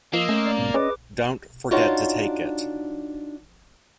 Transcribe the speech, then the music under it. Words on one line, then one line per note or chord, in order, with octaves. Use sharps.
Don't forget to take it!
F3 A#3 D#5 C6 E6
A3 C#4
D5
G#2 B2
C#4 G#4 B4 D#5 D6
D4 D#4 F4 F#4 C#5